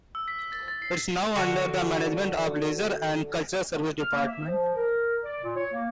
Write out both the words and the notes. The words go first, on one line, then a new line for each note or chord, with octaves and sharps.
It is now under the management of the Leisure and Cultural Service Department.
E6
B6
A6
A6
C7
D3 F#4 A4 E5
F6
A#3
E5
F3
A#4
D5
A#2
C#5
A#3